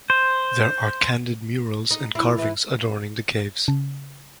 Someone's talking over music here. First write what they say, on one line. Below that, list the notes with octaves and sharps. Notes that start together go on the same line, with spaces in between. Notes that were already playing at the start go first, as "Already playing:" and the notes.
There are candid murals and carvings adorning the caves.
C5
D#4
E4
E3
C#3